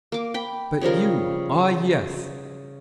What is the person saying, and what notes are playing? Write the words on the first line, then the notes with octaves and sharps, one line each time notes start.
But you,--ah, yes!
A#3 D6
G5 B5
C#3 F3 G3 A#4